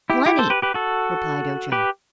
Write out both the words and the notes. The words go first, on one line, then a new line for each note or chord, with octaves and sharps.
"Plenty," replied Ojo.
E4 G4
E4 G4
A4 C5
G4 B4
G4 B4
F#4 A4
G4 B4